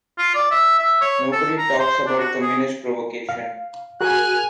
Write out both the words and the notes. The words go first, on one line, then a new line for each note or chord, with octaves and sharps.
Nobody talks about Communist provocation.
F4
D5
E5
E5
C#5
A4
A#5
C5
D4
F#4
G#4
F5
F#4 G#4 A#4 G#5 F6 F#6